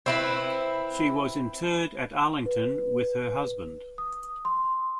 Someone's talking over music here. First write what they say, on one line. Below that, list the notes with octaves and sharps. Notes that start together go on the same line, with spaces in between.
She was interred at Arlington with her husband.
C4 E4 B4
B4
D#6
C6